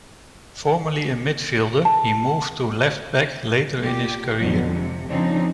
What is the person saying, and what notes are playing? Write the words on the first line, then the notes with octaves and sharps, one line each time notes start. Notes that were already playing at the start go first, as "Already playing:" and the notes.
Formerly a midfielder, he moved to left back later in his career.
A5
A#2 G4
F2 G#2 B2 D3 F#3
C3 F3
C#3 F3 C4 D4 D#4